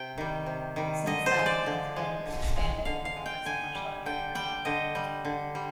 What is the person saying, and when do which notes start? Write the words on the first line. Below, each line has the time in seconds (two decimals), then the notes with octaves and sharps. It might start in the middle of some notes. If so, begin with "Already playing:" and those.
Since then, it has been expanded and covers a much larger area.
Already playing: C3 G5
0.18 D#3 G3
0.46 C3
0.76 D#3 G3
1.06 D3 D#5
1.26 C5
1.36 F3 G#3
1.46 D5
1.66 D3
1.96 F3 G#3
2.26 D3
2.56 G#3
2.85 D3 F5
3.05 F5
3.16 G#3
3.26 G5
3.45 D3 G#5
3.75 G3
4.06 D3 G5
4.35 G3 G5
4.65 D3 D#5
4.95 G3
5.25 D3
5.55 G3